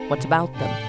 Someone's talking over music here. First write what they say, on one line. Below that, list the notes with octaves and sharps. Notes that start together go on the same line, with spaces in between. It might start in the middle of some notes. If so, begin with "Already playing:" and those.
"What about them?"
Already playing: C4 D#4 A4
C3
A2 D4 A4 D5 G5